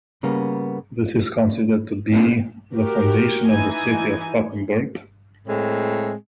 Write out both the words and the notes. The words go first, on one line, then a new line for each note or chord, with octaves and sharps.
This is considered to be the foundation of the city of Papenburg.
C#3 G3 A#3 B3
F#4 G4 A#4
E3 D#4 G#5
A2 G#3 C4